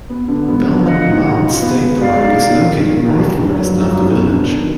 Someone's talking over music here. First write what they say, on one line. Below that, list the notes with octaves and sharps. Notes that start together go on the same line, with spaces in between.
Belmont Mound State Park is located northwest of the village.
B3
D3
B3
D3
F3 D#5 F#5
D#4
D#4
F4
B3
G#3
G#3 D5 F5
D#4
D#4
D#3
D#3
D#3
D#2
D3
F#3
F3 D#4 F#4
F#2
B3
D4
D#3